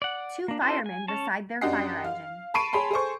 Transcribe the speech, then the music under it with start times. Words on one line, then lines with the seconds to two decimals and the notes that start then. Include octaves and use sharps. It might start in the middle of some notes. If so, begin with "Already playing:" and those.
Two firemen beside their fire engine.
0.02 D5 F#5
0.48 A#3 D4
0.62 C#4 E4 F#4 A4 C5
0.86 G#5
1.08 C#4 C#5 A5
1.61 F#2 D4 G4 D#5 F#5 C7
2.05 F5
2.54 A5 B5 C#6 C7 D7 D#7
2.73 G#4 C#5 A5 B5 C6
2.91 G#4 A4 C5 C#6